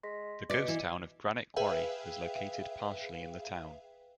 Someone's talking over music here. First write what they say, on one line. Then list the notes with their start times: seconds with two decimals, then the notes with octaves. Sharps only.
The ghost town of Granite Quarry was located partially in the town.
0.03 G#3 C6 A#6 B6
0.50 B2 D5 D#5 B6 C#7
0.68 E3 E5
1.56 G#4 B4 E5 F5 G5